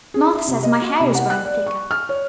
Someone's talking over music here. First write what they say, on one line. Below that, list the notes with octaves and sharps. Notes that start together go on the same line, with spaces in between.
Martha says my hair is growing thicker.
G#4
E5
C3
D#5
F#4
C3
F#5
F#6
D5
C#6
F6
C#5